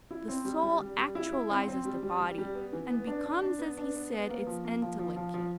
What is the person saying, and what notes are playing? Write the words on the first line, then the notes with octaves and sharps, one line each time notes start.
The soul actualises the body, and becomes, as he said, its entelechy.
E4
C4
G3
G3
G3
G3
E4
E4
C4
C4
G3
G3
G3
G3
B3
E3
B3
D4
D4
D4
B3
D4
B3
B3
A#3
F3
A#3
F3
F3
F3
F3